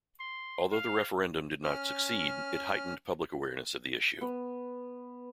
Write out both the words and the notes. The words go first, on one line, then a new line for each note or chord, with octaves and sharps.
Although the referendum did not succeed, it heightened public awareness of the issue.
C6
F5
C#4 F6
B3